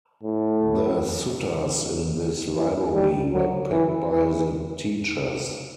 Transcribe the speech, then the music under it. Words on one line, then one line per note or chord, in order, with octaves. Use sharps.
The suttas in this library were picked by the teachers.
A2
E3
G3
F#3
E3
E3